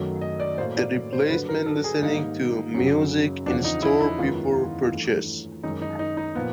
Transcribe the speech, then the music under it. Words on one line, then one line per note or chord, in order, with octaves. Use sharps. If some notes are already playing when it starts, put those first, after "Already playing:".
This replaces listening to music in a store before purchase.
Already playing: F#2 D#3 F#3 A3
D#5
D5
A2 F#3 A#3 C5
D5
C5
G2 D3 F#3 B4
A#4
A4
G#4
G#2 D#3 G3 A#3 D#4
F#2 C#3 F#3
E2 C#3 F3 D4
D#4
E4
E4
F#2 D#3 G#3 B3 F4
G2 E3 A3
F#2 D#3 G#3 D#4
D#4
D#4
D#4
A#2 F3 A#3 B3